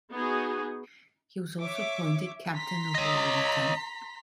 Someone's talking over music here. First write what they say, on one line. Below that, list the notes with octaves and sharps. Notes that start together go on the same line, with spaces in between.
He was also appointed captain of Warrington.
B3 D#4 F#4 G#4
C#5 E5 D6
A#5 C6 B6
C#5 D#5